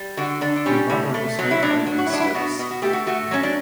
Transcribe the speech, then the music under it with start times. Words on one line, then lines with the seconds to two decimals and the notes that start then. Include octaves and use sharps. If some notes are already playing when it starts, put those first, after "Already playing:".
The rudder was held by themselves.
Already playing: G3
0.17 D3 F#4
0.41 D3 D4
0.56 D4
0.66 G3 C#4
0.90 A2
1.14 A3
1.39 F#3
1.51 E4
1.62 A2 D4
1.86 F#3
1.98 F#4
2.06 E4
2.10 F#3 D4
2.20 E4
2.34 B2 F#4
2.59 B2
2.71 F#4
2.82 A3 G4
2.93 F#4
3.07 A3 F#4
3.31 F#3 C#4
3.43 D4